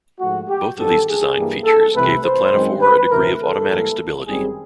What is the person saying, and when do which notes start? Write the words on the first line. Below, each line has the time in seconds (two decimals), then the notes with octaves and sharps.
Both of these design features gave the planophore a degree of automatic stability.
0.19 G#2 F3 A3 F#4
0.48 G4
0.77 G2 D#3 F#3 B3 A4
1.06 G#4
1.35 G2 E3 G3 A#3
1.64 A4
1.94 C2 C3 E3 A3 C4 B4
2.23 C5
2.51 F#2 D#3 G#3 C4
2.81 B4
3.10 D2 C3 E3 A#4
3.39 A4
3.68 G#2 E3 G3 A#3
4.26 G#1 F#2 D#3 G3 C4 G#4